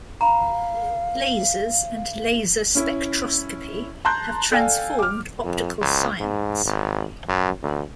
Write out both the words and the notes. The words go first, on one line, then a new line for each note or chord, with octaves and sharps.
Lasers and laser spectroscopy have transformed optical science.
F5 A#5 B5
C#4 E4
A5 A#5 C6 F#6 G6
A4 D5 F5 G5 G#5
D6 F6
F2
C#2
G#2
G#1
F#2
D2